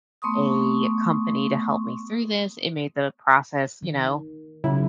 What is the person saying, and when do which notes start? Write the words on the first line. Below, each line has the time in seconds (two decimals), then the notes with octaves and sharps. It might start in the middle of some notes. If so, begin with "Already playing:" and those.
a company to help me through this, it made the process, you know,
0.22 A3 B3 C6 C#6 D#6
3.83 D#3
4.64 C#3 F#3 E4